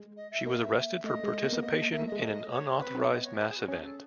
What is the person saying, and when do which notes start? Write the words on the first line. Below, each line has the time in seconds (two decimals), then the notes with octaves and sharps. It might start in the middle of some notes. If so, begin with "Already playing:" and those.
She was arrested for "participation in an unauthorized mass event".
Already playing: G#3
0.17 D#5
0.31 E5
0.45 A#3 D#5
0.60 E5
1.04 A3 D#5
1.14 A3
1.23 G#3
1.33 A3
1.43 A#3
1.53 B3
1.62 A#3 D#5
1.73 A#3
1.82 A3
1.92 A#3 E5
2.02 A3
2.06 D#5
2.12 G#3
2.21 A3
2.51 C#5
2.80 C4 B4
2.95 C4 E5
3.09 B3 D#5
3.24 C#5
3.38 B4
3.48 G#4
3.57 F#4
3.68 C#4 G#4
3.83 A4